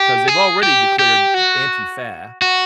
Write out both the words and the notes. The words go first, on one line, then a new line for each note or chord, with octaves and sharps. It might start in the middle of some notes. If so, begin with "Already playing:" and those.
'Cause they've already declared Antifa,
Already playing: G4
G#4
G4
G4
F#4
F#4